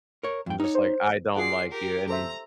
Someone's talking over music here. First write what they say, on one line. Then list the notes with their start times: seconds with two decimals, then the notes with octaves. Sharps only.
I'm just like, "I don't like you, and"
0.23 A#4 C#5
0.46 F2 G5
0.60 D#4 C#5
0.75 C5
1.35 F4 G#4 D5 F#5 C7
1.71 G4 A#4
2.08 A4 C5 E5 A#5